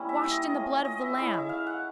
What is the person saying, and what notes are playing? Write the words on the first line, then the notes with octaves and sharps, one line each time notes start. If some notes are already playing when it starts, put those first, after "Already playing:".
Washed in the blood of the Lamb.
Already playing: G3 A#3 C#4 E4
E5
D#5
A3 C#4 F4
D#5
E5
G#3 C#4 E4 E5
E5
F5
F#5